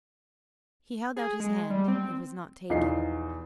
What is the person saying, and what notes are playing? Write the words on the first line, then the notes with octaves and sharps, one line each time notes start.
He held out his hand; it was not taken.
G#4
G#3
G3
C4
B1 E2 F3 D#4 F4 C7